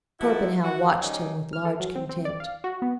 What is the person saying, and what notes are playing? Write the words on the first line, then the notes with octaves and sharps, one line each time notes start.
Torpenhow watched him with large contempt.
F3 D#4 E4 F#4 A4
F#4
D#3 F#3 G3 C#4 D#4
F6
A4
F#3
C4
C4
D5
F5
F#4
B3